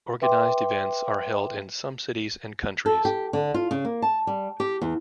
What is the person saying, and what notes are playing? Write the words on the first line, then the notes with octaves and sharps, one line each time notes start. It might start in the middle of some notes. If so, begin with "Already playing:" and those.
Organized events are held in some cities and countries.
B4 E5 G5 C6 D6
A4
G4
D3
F4
C#3
A#3
A5
G3
G4
E2